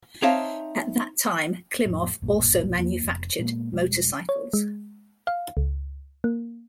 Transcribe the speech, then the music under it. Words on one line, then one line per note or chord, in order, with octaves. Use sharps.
At that time Klimov also manufactured motorcycles.
C4 D#4 C#5 E5 F5 A5
F2 A2
D#1 B1 G2 A#2
E2 F3 A#3 B3
F1
A#2 G#3 A#3 B3
E1 B2 G3 G#3
C#5
G#3
F5
C#2
A#3